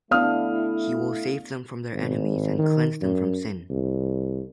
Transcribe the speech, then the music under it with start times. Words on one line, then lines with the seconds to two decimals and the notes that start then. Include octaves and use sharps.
He will save them from their enemies and cleanse them from sin.
0.11 A3 B3 D4 E4 F5 D#6 F6
1.92 G#1
2.58 D#3
3.02 F#2
3.70 C2